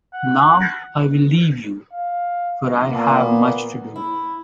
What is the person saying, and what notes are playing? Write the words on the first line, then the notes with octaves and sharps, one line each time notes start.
Now I will leave you, for I have much to do.
F#5
F5
A#2 A#3 B3
E4